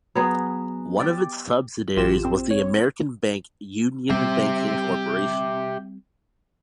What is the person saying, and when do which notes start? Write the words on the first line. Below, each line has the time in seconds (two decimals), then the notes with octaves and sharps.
One of its subsidiaries was the American bank Union Banking Corporation.
0.15 F#3 B3 G#4
1.00 G4 D5
1.96 A1 F4 G4 E7
2.25 C4
2.51 C#5
4.10 G3 A3 C4 G4 E5